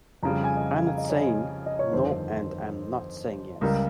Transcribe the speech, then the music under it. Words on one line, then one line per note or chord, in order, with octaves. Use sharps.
I'm not saying no and I'm not saying yes.
F2 C#3 G3 A#5
G#5
D#5
F5
F5
D#5
C#5
D#5
D#5
C#5
G1 F2 D#3 C5
C#2 C#3 G3 A#4